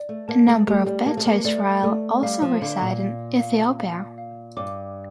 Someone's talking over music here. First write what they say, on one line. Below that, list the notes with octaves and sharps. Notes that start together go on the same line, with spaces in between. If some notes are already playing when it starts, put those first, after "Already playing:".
A number of Beta Israel also reside in Ethiopia.
Already playing: D5
A3
A#3 A5
A3
A3 G4
G3
A#3 A5
A3
A#3
A3 D5
A3 D5
G3 F5
F3
D3 F5
A#2
F5
F5
F5
F5
G2 D6